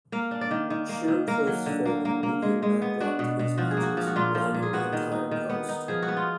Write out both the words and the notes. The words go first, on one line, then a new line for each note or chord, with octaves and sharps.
Sheer cliffs form an immediate backdrop to these beaches, lining the entire coast.
A#3 F5
D4
D5
D#3
D#3
A#3
D#3
A#3 A#4
F#3
D3
A#3
A#3
A#3
G#3
G#3
B3
D4 F#4
B2
B2
F3 F#4
G#4
A#3
F#4
F3
F#4
A#2 F4
F3
A#2
G#4
B3 F#4
D#3
D#4
D#3
B3
D#4
F3 G#4
F#4
B3
F4